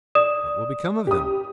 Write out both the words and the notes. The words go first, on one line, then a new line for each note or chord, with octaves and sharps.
What will become of them?
D5 D#6 E7
G4 D#6